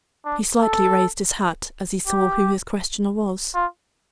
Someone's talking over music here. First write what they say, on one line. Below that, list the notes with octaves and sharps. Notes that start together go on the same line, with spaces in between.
He slightly raised his hat as he saw who his questioner was.
D4
A4
G4
F4